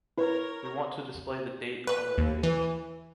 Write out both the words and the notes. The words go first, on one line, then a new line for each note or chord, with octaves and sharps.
We want to display the date on a web-page.
E4 A#4 B4 C#5
B4
D#2
E3